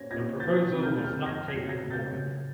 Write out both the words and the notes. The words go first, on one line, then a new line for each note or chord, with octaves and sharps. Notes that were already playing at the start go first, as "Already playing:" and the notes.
The proposal was not taken forward.
Already playing: A#3 C#4 G#6 A#6
A#2 G#6 A#6
E3 G6 A6
C3
F6 G6
G#3
F6 G6
F2 G#6 A#6
G#6 A#6
F#3
G#6 A#6
C#3
G6 A6
C#3